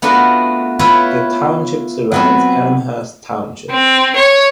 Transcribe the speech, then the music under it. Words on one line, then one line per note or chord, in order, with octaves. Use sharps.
The township surrounds Elmhurst Township.
A3 B3 D4 F4 F#4 A#4
E4 F4 B4 C#5 E5
F#3 B3 C4
C4
C#5